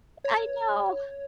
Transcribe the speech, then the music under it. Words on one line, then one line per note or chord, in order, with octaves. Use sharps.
I know,
C#5